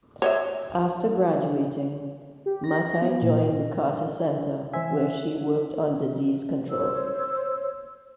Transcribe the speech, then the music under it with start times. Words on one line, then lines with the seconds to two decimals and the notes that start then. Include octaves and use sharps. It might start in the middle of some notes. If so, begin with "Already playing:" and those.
After graduating Mathai joined the Carter Center where she worked on disease control.
0.22 C#5 D#5 E5
2.46 G4
2.64 A#6
3.02 B3
3.22 A#2
4.73 E3 C5 E5 G#5
4.97 C#4 F#5
6.70 C5 C#5 E6